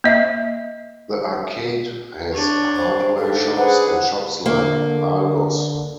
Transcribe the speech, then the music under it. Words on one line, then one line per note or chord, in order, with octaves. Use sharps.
The arcade has hardware shops and shops like Argos.
A#3 D#5 E5
D4 C#5
C5
G#2 D4 A4
G#4 B4 C5 F#5
D3 A#3